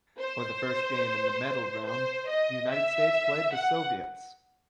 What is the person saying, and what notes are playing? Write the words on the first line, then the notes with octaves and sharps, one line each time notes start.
For the first game in the medal round, the United States played the Soviets.
C5
C5
D#5
E5
F#5